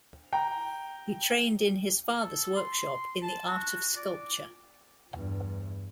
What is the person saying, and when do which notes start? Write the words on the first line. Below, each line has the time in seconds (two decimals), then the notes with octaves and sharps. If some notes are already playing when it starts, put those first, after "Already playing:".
He trained in his father's workshop in the art of sculpture.
0.33 G5 A#5
2.22 A4
2.56 C6
3.22 A5
3.48 F#4
3.96 D5
5.13 E2 G2